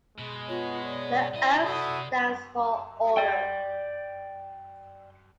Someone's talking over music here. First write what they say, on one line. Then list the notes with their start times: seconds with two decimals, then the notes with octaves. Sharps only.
The "O" stands for order.
0.19 B2 G#3
0.49 B3 F4 C#5
0.85 D5
1.34 B1 E4 D#5
1.66 C3 E4 F#4 A4 C5 D#6
3.17 D5 G5